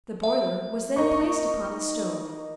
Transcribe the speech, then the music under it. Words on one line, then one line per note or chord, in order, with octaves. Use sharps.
The boiler was then placed upon the stove.
E5
A#3 D#4 C#6